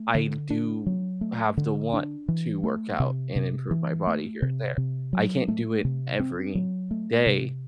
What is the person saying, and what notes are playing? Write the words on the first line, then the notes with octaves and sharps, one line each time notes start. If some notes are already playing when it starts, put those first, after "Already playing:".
I do have the want to work out and improve my body here and there. I can't do it every day
Already playing: A3
D3
D4
F#3
A3
D3
D4
E3
A3
C3
C3
E3
A3
C3
C3
F#3
A3
C3
C4
F#3
A3
C3